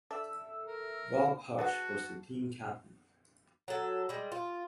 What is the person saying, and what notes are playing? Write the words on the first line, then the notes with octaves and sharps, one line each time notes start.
Robb Hirsch was the team captain.
D4 A4 E5 E6
A#4
F#4 G#4 B4 F#5 A5
F#3 A4
G3 G#3
F4